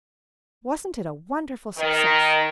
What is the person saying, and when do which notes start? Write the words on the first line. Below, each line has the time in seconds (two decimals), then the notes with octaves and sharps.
Wasn't it a wonderful success?
1.78 D#3